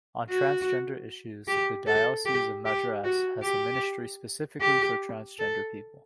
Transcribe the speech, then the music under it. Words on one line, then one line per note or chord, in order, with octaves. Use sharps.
On transgender issues, the Diocese of Madras has a ministry specifically for transgender people.
F#4
G4
A4
G4
G4
F#4
G4
G4
A4